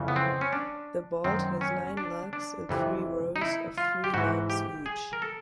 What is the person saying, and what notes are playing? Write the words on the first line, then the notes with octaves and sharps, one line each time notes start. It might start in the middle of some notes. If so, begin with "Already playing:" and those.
The bolt has nine lugs in three rows of three lugs each.
Already playing: F2 C#3 E3
B3
C4
C#4
D4
F#2 D#3 C4
C#4
D4
D4
F2 C3 E3
D#4
E4
F4
G4
G#2 E3 F#4
G4
G#4
A#4
A4